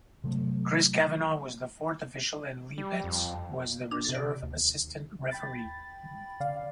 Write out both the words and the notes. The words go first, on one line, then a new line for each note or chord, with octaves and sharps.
Chris Kavanagh was the fourth official and Lee Betts was the reserve assistant referee.
C3 F#3 A3
G3
F2
C3
D#2
G5 B5 A6
D3 D5 F5